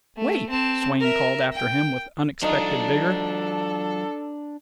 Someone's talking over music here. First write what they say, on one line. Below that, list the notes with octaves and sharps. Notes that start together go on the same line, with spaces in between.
"Wait!" Swain called after him, with unexpected vigour.
A3
C4 A5
A#4 E5
G5
F3 F#3 A3 D4 D#4 F4 A4